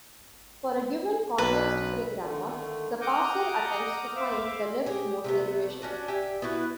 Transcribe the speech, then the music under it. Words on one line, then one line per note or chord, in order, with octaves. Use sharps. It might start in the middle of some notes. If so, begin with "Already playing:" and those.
For a given context-free grammar, the parser attempts to find the leftmost derivation.
B1 B4
D3 D#3 A3
F#5 A#5 D6 D#6 F6 G6
C5 E5 F5 D6
G4 G#4
C3 A3 B3
C#4 D4 F#4
G4 E5 G#5
B3 E4 F#4 B4